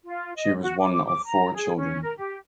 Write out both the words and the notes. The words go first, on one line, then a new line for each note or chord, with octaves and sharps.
She was one of four children.
F4
D#5
F#4
D6
D6
D6
A#5
G#4
C#4
A#4
G4